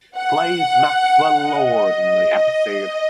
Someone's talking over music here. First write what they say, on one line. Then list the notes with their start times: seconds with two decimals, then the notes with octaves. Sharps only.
Plays Maxwell Lord in the episode.
0.16 F#5
1.47 D#5